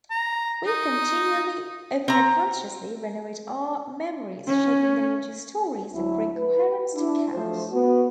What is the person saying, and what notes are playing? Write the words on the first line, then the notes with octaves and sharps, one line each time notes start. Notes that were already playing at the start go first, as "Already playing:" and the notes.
We continually-often unconsciously-renovate our memories, shaping them into stories that bring coherence to chaos.
A#5
D#4
C4 A#5
C#4
D2 F#3 E4
B4
D4 E4
F3 F#3 A3 C5
B3 F#4